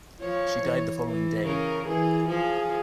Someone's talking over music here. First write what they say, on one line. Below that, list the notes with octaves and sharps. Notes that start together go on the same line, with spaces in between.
She died the following day.
F3 C#5
E3
E3
C#3 A#4
E3 G#4
F3 G#4